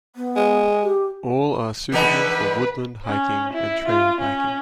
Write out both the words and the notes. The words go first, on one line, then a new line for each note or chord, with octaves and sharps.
All are suitable for woodland hiking and trail biking.
B3
G#3
G4
E2 D3 D#4 B4
C#4
E4
F4
C#4